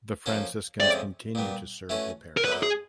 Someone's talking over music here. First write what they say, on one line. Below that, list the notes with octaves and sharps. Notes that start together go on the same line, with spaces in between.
The Franciscans continue to serve the parish.
F3 A#3 C#4 F#4 A4
F2 C3 F3 G#3 C#4 D5
A#2 G3 B3
E3 A3 C#4 F#4
A#4
F#2 D3 F#3 B3 B4
G#4